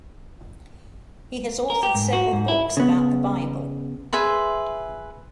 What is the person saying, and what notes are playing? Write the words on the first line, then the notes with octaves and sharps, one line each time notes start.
He has authored several books about the Bible.
A#4
G4
G#2
F#4
G#2
E4
C#3 B3
G#4 B4 E5 C6